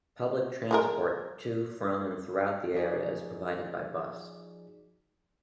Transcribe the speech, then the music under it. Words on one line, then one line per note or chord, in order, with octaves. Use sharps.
Public transport to, from and throughout the area is provided by bus.
F#3 G#3 A#4
F3 D#4 F#4 G#4 D5